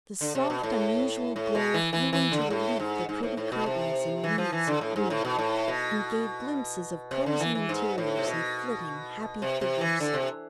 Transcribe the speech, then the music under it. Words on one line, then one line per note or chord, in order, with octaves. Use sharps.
The soft, unusual glow threw into relief the pretty curtains and wreaths of green, and gave glimpses of cosy interiors and flitting happy figures.
D3
C3
B2
A2
A2
B2
E3
E3
E3
D3
A2
G#2
G#2
A2
A2
B2
C3
E3
F3
E3
D3
A2
G#2
A2
B2
A2
B2
C3
D3
E3
E3
G#2
A2
C3
B2
C3
C3
E3
D3
C3